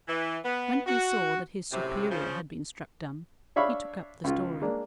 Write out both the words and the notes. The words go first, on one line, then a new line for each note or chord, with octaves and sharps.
When he saw that his superior had been struck dumb, he took up the story.
E3
B3
F#4
F#2 A2 C3
C#3 F3
D4 C#5 E5 F5 B5 C#6
C#2 F4
G#3 A#3 D4